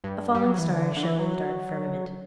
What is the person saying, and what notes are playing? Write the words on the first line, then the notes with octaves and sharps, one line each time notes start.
A falling star shone in the dark firmament.
G2
G3
F#3
E3
D3
D3
E3
F#3